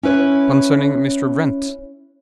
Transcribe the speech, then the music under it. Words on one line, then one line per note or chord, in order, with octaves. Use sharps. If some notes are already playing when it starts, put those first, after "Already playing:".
"Concerning Mr. Wrent."
C#4 E4 B4 C#5